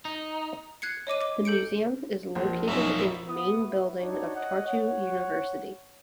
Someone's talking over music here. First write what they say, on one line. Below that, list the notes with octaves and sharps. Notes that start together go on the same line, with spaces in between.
The museum is located in Main building of Tartu University.
D#4
F#6 G#6 C7 C#7
C#5 D#5 D6 D#7
D6
A4 G6 C#7 D7
A#1 F2 F3
F#2 B2 A#3 D#4 E5
B3 D#6
F#4 B4 E5
D4 D#4 F#4 C#5
C#5 D#5 F#5
C#5 F#5